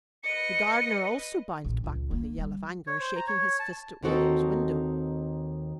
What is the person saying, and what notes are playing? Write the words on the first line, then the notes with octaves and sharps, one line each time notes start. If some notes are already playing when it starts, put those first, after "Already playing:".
The gardener also bounced back with a yell of anger, shaking his fist at William's window.
B4 D#5 C#7
A#1
C#2
A#3
G3
C#5
C5
A#5
C#5
A5
D#2 C4 D#4 F#4 A4